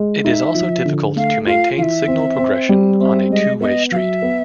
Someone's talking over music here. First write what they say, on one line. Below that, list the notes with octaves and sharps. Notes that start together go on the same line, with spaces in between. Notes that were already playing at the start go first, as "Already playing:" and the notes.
It is also difficult to maintain signal progression on a two-way street.
Already playing: G#3
D#4 E5
F3
D3
A3 F5
F4 F5
E3 E5 F5
C4
C4
G3
C4 E5
G#3 D#5
B3 D#5 E5
F#3 E5 F5
B3